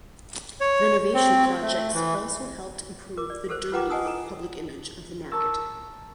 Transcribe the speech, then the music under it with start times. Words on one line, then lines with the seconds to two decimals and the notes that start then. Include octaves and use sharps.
Renovation projects also helped improve the "dirty" public image of the market.
0.61 C#5
1.15 C4
1.62 A3
1.94 E3
3.17 A#4 D6
3.30 D5
3.49 G4 A4 A#4 C5
3.72 F4 B4 F#5 G5 A#5 D6
3.90 D#5 F#5 G#5 A5 D#6 E6
4.04 E4 A4 A#5
5.31 A#4 A5 C#6 E6